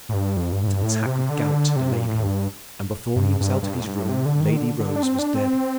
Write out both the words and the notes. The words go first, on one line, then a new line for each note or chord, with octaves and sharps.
But an attack of gout delayed him, and, before he was out of his room, Lady Rose was dead.
A2
G2
F2
G2
A2
G2
A2
C3
D3
C3
A#2
A2
G2
G2
G2
G2
F2
A2
G2
A2
C3
D3
D#3
D3
D3
D4
C4
D4
C4